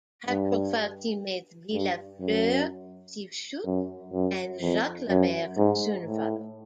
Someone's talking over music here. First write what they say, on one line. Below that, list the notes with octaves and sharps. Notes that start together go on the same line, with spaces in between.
High-profile teammates Guy Lafleur, Steve Shutt and Jacques Lemaire soon followed.
G2
G2
F#2
F#2
F#2
F2
F#2
G#2
A2